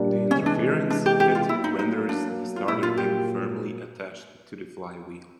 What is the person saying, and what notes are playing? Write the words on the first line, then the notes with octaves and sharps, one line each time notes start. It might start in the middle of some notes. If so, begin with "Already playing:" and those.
The interference fit renders the starter ring firmly attached to the flywheel.
Already playing: A#2 G3 A#3 D4
C3 E3 G#3 C#4
D4
D4
G4
G4
F4
B2 F#3 A#3 E4
D#4
D#4
D4
F4
A#2 F#3 A#3 E4
F4
G4